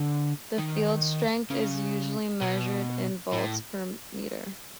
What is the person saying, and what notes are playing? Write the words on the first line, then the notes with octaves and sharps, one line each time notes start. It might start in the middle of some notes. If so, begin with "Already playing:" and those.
The field strength is usually measured in volts per meter.
Already playing: D3
D#3
C#3
B2
A2